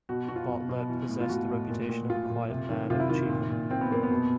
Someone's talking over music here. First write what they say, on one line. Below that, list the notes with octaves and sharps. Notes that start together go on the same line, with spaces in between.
Bartlett possessed the reputation of a quiet man of achievement.
B2 F#4
B2 F#4
F4
B2
B2
E3
A2
F4
A2 F#4
A2
A#2
A#2
A#2 F4
A#2
C3
D#3
C3 F4
E4
D#3 F4
A#2
A#2
A#2 C4
B3
A#2 A#3
B3
B2